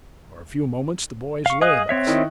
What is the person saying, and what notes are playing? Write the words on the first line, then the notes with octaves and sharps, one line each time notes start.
For a few moments the boys lay thus.
F5 C#6
G#4 D#5 F5 D#6 F#6
C4 C#5 E5
D#3 D#4 E4